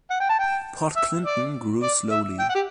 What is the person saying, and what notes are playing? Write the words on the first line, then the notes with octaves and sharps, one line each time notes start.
Port Clinton grew slowly.
F#5
G5
A5
G5
E5
D5
D5
E5
G5
F#5
G4